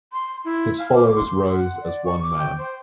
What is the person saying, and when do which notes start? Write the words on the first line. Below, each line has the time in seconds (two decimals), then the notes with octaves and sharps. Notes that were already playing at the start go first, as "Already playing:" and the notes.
His followers rose as one man.
0.13 C6
0.45 E4
0.78 F5
0.95 D6
1.16 C6
1.53 F#5
1.82 D5
2.05 C#6
2.22 D6
2.38 G5
2.58 C5